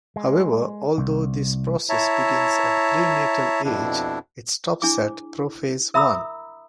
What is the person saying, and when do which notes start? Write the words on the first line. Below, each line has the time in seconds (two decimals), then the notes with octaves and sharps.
However, although this process begins at prenatal age, it stops at prophase one.
0.16 G#3
0.98 C2
1.89 E4 C#5 E5 A5 A#5
3.64 F2 B2 D4 E4
4.82 D4 E4 G#4 D6
5.94 A#4 E5 A#5 B5 D#6 E6